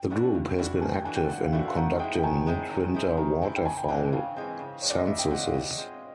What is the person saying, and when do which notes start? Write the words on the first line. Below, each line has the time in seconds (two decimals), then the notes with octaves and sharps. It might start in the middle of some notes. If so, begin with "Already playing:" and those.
The group has been active in conducting mid-winter waterfowl censuses.
Already playing: G5
0.10 E3 A3 D4 F#4
0.35 G2
0.58 E3 A3 D4 F#4
0.81 G2 G#5
0.94 G5
1.05 E3 A3 D4 F#4 G#5
1.17 G5
1.29 G2 F#5
1.41 F5
1.52 E3 A3 D4 F#4 E5
1.65 F5
1.76 D#3 F#5
1.99 G#3 C4 E4 G5
2.19 G5
2.23 D#3 G#5
2.46 G#3 C4 E4
2.70 D#3
2.94 G#3 C4 E4
3.17 D#3
3.42 G#3 C4 E4
3.56 G5
3.65 C#3 G#5
3.77 G5
3.88 E3 G#3 C4 G5
4.13 C#3 F5
4.36 E3 G#3 C4
4.59 C#3
4.82 E3 G#3 C4 C#5
4.90 D5
4.98 D#5
5.07 C#3 E5
5.19 G5
5.30 E3 G#3 C4 F#5
5.42 F5
5.54 B2 D#5
5.78 G#3 C4 F4